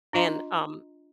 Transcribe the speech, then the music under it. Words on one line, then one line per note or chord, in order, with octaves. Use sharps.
and, um
D4 F4 D#5 A#5 C6